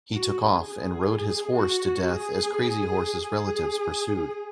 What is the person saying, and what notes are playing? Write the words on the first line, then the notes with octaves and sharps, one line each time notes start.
He took off and rode his horse to death as Crazy Horse's relatives pursued.
F#4
G#4
G#4
F#4
G#4
G#4
G#4
G#4